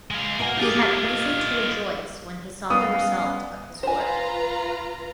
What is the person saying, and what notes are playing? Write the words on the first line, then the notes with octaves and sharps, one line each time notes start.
He had reason to rejoice when he saw the result of his work.
G#3 F5
B2 A#3 A#4 F#5 G#5
D#4 F4 G4 G#4 F5
G3 B3 C#4 F5 D#6
F4 B4 C5 G#5 A#5